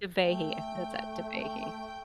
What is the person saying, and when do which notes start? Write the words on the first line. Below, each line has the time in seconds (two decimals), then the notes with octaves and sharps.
Dhivehi, that's it, Dhivehi.
0.22 A3 G5
1.38 G5